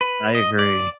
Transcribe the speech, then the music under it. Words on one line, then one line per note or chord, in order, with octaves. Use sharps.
I agree.
B4
D#5
D5